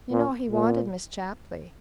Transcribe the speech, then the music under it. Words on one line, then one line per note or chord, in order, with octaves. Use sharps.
You know he wanted Miss Chapley.
A#2
A#2